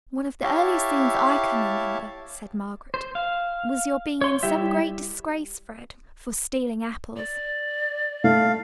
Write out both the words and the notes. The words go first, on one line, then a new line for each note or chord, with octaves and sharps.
'One of the earliest things I can remember,' said Margaret, 'was your being in some great disgrace, Fred, for stealing apples.
E4 G4 C#5 E5 F5 A5
C5
F5
C#5 C6
G3 E4 G4 E5
D5
A3 F5